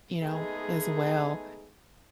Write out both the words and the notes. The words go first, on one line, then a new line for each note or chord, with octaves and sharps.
you know, as well,
G#3 A3 B3 D#4 G#4